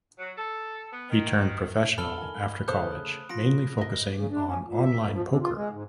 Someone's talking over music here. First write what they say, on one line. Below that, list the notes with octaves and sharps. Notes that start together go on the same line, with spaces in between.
He turned professional after college mainly focusing on online poker.
F#3
A4
B3
D#3
A#1 A4 B5 E6 F6 D7 G7
D#4 A#4 G#5
C#3 A3 A#3 A4 C5 D#6 F#6
F3 F4 A#6 D7
D#5 E5
C#3
D4
C#4
A#2
E5
F2
F3
C3
F4
G#3
G#2